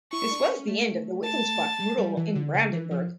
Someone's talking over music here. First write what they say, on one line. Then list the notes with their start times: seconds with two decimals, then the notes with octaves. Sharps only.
This was the end of the Wittelsbach rule in Brandenburg.
0.12 E4 C#6
0.31 D4
0.50 C#4
0.67 A3
1.24 A5
1.79 G3
1.98 G3
2.17 E3
2.35 D3
2.54 C#3
2.73 E3
2.91 F3